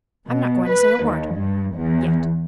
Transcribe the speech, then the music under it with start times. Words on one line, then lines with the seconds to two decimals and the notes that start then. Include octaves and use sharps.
I'm not going to say a word--yet.
0.28 B2
0.71 B4
1.05 D#2
1.36 G2
1.76 E2